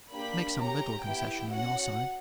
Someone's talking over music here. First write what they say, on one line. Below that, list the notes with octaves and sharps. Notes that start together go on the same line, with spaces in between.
Make some little concession on your side.
A#3 D4 G4 B5
C#4 G4 A#5
B3 E4 G4 G5
C#4 F#4 F#5